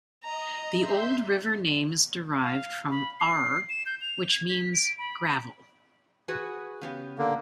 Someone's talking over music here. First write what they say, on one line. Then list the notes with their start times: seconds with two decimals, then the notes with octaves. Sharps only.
The old river name is derived from "aurr" which means "gravel".
0.24 D#5 A#5
0.78 E5 C6 G6
2.43 F5
2.91 B5
3.20 C7
3.69 E7
3.86 G6
4.01 F7
4.31 G#6
4.49 B6
4.74 D7
4.98 B5
6.28 F#4 G#4 B4
6.81 C#3 B3 G4
7.18 D3 A#3